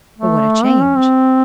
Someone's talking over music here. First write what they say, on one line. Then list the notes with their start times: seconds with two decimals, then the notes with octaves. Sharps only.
But what a change!
0.18 A3
0.64 C4
0.81 C#4
0.96 C4